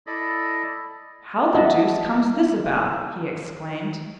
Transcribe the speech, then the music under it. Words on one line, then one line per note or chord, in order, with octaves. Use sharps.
'How the deuce comes this about?' he exclaimed.
E4 A4 D5 D#5 B5
D#5 E5 F#5 A5